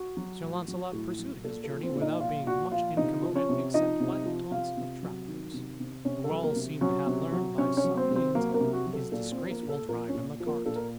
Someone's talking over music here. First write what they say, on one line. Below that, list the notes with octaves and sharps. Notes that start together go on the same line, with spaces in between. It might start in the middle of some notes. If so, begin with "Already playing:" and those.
Sir Launcelot pursued his journey, without being much incommoded except by the taunts of travellers, who all seemed to have learned, by some means, his disgraceful drive in the cart.
Already playing: F#4
F#3
A2
F#3
A2
F#3
A#2 A4
A4
F3
C4 C5
A#2
D#4 D#5
F3 F4 F5
A#2 F#4 F#5
F3 F4 F5
C3 D#4 D#5
F3
C#4 C#5
C3
F3 D#4 D#5
C3
F3
C3 F4 F5
C3
F#3
D#3
C3
C3
C3 C#4 C#5
A4
F#3
A#3 A#4
C3
F#3 C#4 C#5
C3
F#3
C3 C#4 C#5
C#4 C#5
F#3
C4 C5
C3
C4 C5
F#3 A#3 A#4
C5
A#3 A#4
C3
F#4
F#3
A4
A#2 A4
C4 C5
F3
A#3 A#4
A#2
A4
F3 A#3 A#4
C#4 C#5
A#2
F3
A#3 A#4
A#2 A4
A#4